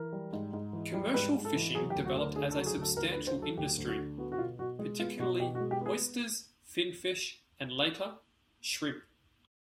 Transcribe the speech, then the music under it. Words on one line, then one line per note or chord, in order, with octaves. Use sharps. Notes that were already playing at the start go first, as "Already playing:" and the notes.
Commercial fishing developed as a substantial industry, particularly oysters, finfish, and later, shrimp.
Already playing: E3 A#4
G3
G#2
G#2
E3
G3
G#2 B4
G#2
A4
E3
F#3 G#4
G4
D2
F#4
D2
A#4
D3 G#4
A4
F#3
G#4
D2 A4
D2 A#4
B4
D3
C5
F#3
A4
D2 G4
D2
F#4
D3
B3 F#4
F#4
B2 F4
B2 F#4
G#3
B3 F4
B2 F#4
B2 G4
F#4
G#3
G4
B3 G#4